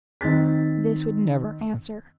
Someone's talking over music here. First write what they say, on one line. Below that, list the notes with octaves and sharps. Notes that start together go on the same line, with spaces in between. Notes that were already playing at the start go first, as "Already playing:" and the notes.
This would never answer.
D#3 C4 A6 B6